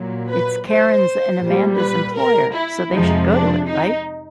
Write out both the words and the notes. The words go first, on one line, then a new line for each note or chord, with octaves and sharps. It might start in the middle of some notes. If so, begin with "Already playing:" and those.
It's Karen's and Amanda's employer, so they should go to it, right?
Already playing: A#2 F#3
B4
C5
A#2 G3
B4
A#4
E4
F2 C3 F3 G#3 D#4
D4
D#4